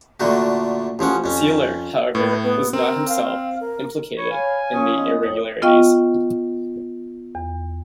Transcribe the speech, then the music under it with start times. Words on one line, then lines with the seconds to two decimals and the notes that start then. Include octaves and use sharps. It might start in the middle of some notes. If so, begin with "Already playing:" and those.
Seeler, however, was not himself implicated in the irregularities.
0.20 A#2 D3 A3 F#4
0.99 A1 F3 C#4 F#5
1.24 F2 C#4
2.15 A2 B4
2.43 B3
2.73 C4 A#4
3.08 F5
3.61 A#4
4.18 C#5 B5
4.31 C#5 F5 G#5
4.74 F3 C#4 D#6
4.94 B3 D5 D#5
5.23 F2 C#5
5.62 B3 F4 D#5 F5 G5 C#6
7.35 E2